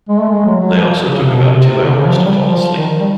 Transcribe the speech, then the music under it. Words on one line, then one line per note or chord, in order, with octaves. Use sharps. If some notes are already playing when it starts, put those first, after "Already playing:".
They also took about two hours to fall asleep.
G#3
A3
G#3
F#3
F#3
F3
C#3
C3
B2
C3
C3
C3
D3
C#3
F3
F#3
G3
F3
D#3
G3